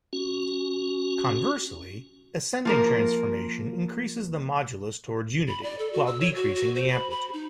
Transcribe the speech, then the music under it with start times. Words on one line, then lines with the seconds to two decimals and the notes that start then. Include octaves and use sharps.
Conversely, ascending transformation increases the modulus towards unity, while decreasing the amplitude.
0.13 C#4 F#4
2.65 F3 A#3 A#4
5.48 B5
5.63 D5
5.79 A4
5.93 F#4
6.06 E6
6.21 C#5
6.35 F#4
6.55 F#4
6.75 C5
6.92 B5
7.10 B5
7.33 D#4